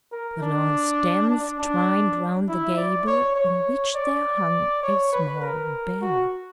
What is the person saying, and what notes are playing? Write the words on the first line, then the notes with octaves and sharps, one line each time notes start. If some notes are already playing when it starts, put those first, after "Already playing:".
The long stems twined round the gable, on which there hung a small bell.
A#4
D4
D4
D4
E4
D5
C#5
C#5
D5
C#5
B4
A#4
F#4